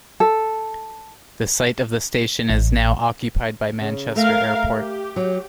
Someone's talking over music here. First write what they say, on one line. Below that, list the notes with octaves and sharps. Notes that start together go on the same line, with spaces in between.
The site of the station is now occupied by Manchester Airport.
A4
A1
C#3
A3 A#4 F5
G4
F#3